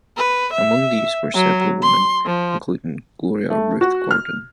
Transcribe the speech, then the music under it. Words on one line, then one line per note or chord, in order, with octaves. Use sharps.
Among these were several women, including Gloria Ruth Gordon.
B4
E5
F#3
C6
F3
A3
F#4
F6